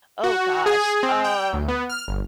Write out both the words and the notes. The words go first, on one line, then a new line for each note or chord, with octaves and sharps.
Oh gosh. Um.
F#4
G#4
C4
G5
D2
B3
F6
G1